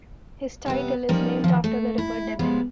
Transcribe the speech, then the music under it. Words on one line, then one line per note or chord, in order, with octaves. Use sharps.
His title is named after the River Deben.
C3 G3 B3
F3 G3 C#4 D#4 A#4 D5
D#3 F3
A3
E4
C#3 F3 G3 G#3 B3